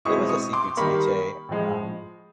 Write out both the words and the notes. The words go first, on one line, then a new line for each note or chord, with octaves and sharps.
it was a seafood ceviche. Um,
B2 G#3 C4 E4 C#6 D#6
C#6 D#6
C6 D6
D#3 G3 A#3 B5 C#6
A2 F3 G#3